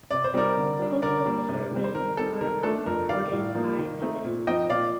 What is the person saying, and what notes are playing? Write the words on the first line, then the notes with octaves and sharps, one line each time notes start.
Postal Service were unsupported by evidence.
C3 D5
C5
G3 C4 D#4 A#4 D5
D3
G3 D4
D3 A#4 D5
G3 A#3 D4
C3
D#3 G3 C4
C5
D#3 A#4
G3 C4 D#4 A4
D#3 A#4
A3 D4 A4
F2 A#4
D#3 G3 D5 F5
A2
F3 A#3 D#4
D#3
A3 C4 D#4
A#2
F3 C4 D#4 D#5 G5
A#2 D5 F5